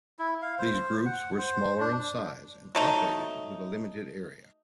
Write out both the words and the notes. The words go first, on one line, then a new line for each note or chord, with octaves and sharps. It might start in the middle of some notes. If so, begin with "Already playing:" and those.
These groups were smaller in size and operated with a limited area.
E4
F5
C5
F#5
C5
D4
F#3 A3 D#4